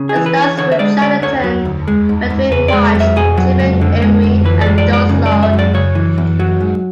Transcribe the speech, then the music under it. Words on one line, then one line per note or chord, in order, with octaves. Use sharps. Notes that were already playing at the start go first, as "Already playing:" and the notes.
It stars Ruth Chatterton, Fredric March, Gilbert Emery and Doris Lloyd.
Already playing: C#3
G#4
E3
B4
E2
C#5
D3 C#5
E5
G#3 D5
D2 D5
D3 C#5
F#3
D2
G#3
G#2
G#2
C#3 B4
G#3 D5
F#2
E5
B2 G#4
F#3
C#2
D3
G#3
D2
E3 B4
G#3 D5
D5
G#2 D5
C#3
D5
G#3
E5
F#2
D5
C#3 C#5
E3
E2
F#3
G#2